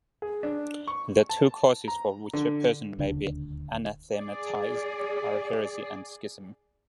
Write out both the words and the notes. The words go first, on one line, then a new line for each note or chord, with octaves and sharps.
The two causes for which a person may be anathematized are heresy and schism.
G#4
D4
C#6
A5
A#5
D3
D#1 D2 C#3 D4
G#4 D5